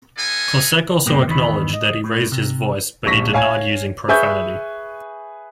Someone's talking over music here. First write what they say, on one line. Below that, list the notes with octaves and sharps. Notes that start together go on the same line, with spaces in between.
Klocek also acknowledged that he raised his voice, but he denied using profanity.
B3 F4 A4 D#5 G#5
G2 B2 A#3 G4
E2 D#3 E3 B5
D#5
A2
C3
D#1 A#1 C#6 A#6 B6
C#5 F5 G#5 G#6
G#4 B4 E5 G#5 C#6 G6